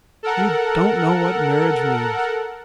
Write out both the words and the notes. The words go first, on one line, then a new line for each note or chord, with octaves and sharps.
"You don't know what marriage means!"
A4 A#4 F#5